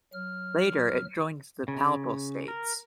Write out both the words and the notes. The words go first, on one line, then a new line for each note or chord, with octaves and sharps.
Later it joined the Papal States.
F#3 F6
C#3
A#4